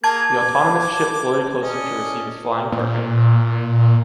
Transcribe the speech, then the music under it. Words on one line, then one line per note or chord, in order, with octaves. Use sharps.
The autonomous ship floated closer to receive his flying cargo.
A#3 G#4 A5 G#6
D6
C#4 D5 D#5
A#2